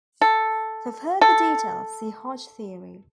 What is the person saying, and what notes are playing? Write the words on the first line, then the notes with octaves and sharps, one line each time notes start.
For further details see Hodge theory.
A4
A4